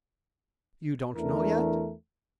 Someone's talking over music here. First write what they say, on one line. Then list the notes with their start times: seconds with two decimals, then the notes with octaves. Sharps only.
"You don't know yet?"
1.16 E2 E3 A3 D4 A#4